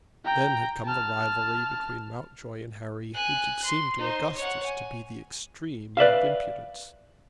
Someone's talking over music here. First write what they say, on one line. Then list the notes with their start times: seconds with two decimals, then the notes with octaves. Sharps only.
Then had come the rivalry between Mountjoy and Harry, which had seemed to Augustus to be the extreme of impudence.
0.24 G5 A#5
0.86 A5 F6
3.14 G#5 F#6
3.64 C6
3.98 D#4 C5
4.37 C#5 F#5
4.65 G#5
5.97 B4 D5 E5 F5